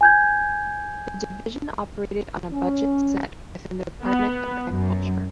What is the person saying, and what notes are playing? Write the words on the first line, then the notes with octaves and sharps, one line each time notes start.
The division operated on a budget set within the Department of Agriculture.
G#5 G6 G#6
C#4
B3
F#2